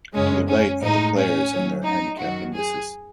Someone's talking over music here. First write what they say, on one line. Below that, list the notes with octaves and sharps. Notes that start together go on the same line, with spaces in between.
To the right are the players and their handicap indices.
F#2 C#3 G#3 C#4
C#4
A2 G#3 D#4
C#4
A2 F#3
D#4
F#2 D#3 F#3 F#4
G#4